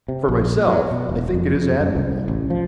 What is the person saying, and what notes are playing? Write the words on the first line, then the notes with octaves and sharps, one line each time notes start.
For myself, I think it is admirable.
C3
A#1
F#3
B2
E1
F2
F2
F#2
C2
A1
F3